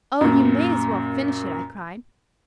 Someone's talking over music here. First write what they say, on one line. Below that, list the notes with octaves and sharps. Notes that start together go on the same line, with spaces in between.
"Oh, you may as well finish it!" I cried.
F#2 A#2